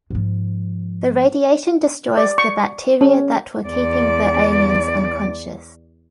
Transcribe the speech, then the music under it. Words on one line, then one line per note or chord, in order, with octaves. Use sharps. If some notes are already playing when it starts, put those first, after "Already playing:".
The radiation destroys the bacteria that were keeping the aliens unconscious.
G#2 F3
D5
C#6
C#4
E2 D5